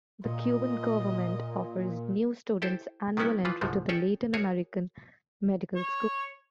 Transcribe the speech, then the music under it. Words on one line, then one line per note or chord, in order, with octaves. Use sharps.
The Cuban government offers new students annual entry to the Latin American Medical School.
A#2 D#5
E4 G4 A4 C5
D#3 G3 G#3 B3 C#4 E4
E3 F3 F4 B4
C2 G#2 D3 F3 G#3 A3
C#4 G#4 A4 C#5 D5 G5
F#4 G#4 A#4 C#5
C#5